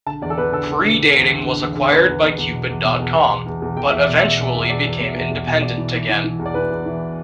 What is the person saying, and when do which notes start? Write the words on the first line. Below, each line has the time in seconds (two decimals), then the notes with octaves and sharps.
Pre-Dating was acquired by Cupid dot com, but eventually became independent again.
0.06 D3 A5
0.22 E2 D5
0.30 A4
0.38 E2 B4
0.53 D3 A4
0.69 D3
0.84 D3
1.00 D3
1.15 E2
1.30 D3
1.45 D3
1.61 E2
1.77 D3
1.92 E2 B4
2.08 E2
2.23 E2
2.38 E2
2.53 B2
2.69 E2
2.85 B2
3.00 E2
3.15 B2
3.30 E2
3.46 E2
3.62 E2
3.77 E2 G5
3.90 E2 E5
4.03 D5
4.08 B2
4.15 E5
4.24 E2
4.39 B2
4.54 E2
4.70 E2 D5
4.85 E2
5.00 B2
5.16 E2
5.31 E2
5.47 B2
5.62 E2 D5
5.78 E3
5.93 E3
6.09 E3
6.24 E3
6.39 E2
6.46 D5
6.54 E3 B4
6.70 E2
6.86 E3